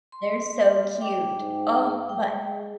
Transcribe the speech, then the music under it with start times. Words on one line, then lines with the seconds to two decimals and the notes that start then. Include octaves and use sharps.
They're so cute. Oh, but
0.12 C6
1.01 G5 D6
1.34 G#2
2.09 G#3 G5